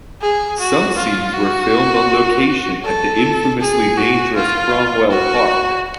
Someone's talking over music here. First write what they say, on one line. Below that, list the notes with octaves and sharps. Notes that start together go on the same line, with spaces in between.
Some scenes were filmed on location at the infamously dangerous Cromwell Park.
G#4
F#4
F4
F#4
A4
G#4
F#4
F4
F#4